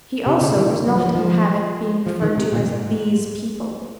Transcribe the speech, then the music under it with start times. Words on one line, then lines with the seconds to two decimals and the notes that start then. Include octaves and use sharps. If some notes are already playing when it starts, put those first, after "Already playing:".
He, also, was not in the habit of being referred to as "these people."
0.26 C3
0.41 C#3
0.57 D#3
0.71 D#3
0.87 F#3
0.97 F3
1.06 D#3
1.15 F3
2.06 F3
2.22 D#3
2.37 C3
2.52 A#2
2.67 G#2